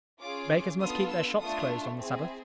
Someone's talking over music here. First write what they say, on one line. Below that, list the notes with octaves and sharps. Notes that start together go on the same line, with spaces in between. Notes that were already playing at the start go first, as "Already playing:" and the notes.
Bakers must keep their shops closed on the Sabbath.
C#4 F4 G#4 D6
B3 D4 F4 A4 D#6
E6
A3 D4 F4 A4 D#6
C4 E4 G#4